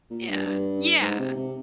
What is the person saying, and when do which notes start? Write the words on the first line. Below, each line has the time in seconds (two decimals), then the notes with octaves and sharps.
Yeah, yeah.
0.10 A#2
0.29 G2
0.46 G2
1.01 G#2
1.19 C3
1.37 C3